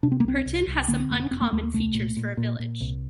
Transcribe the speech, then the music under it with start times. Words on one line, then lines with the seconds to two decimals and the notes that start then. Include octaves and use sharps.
Pirton has some uncommon features for a village.
0.03 C3 D4
0.12 C4
0.20 A#3
0.24 C2 C4
0.46 C2
0.67 C2
0.88 D3 A#3
1.00 C4
1.10 F1 A#3
1.31 F1 C4
1.41 A#3
1.52 D#2 A3
1.63 A#3
1.73 C2 A3
1.95 A#2
2.17 A#2
2.37 A#2
2.59 A#2
2.81 C2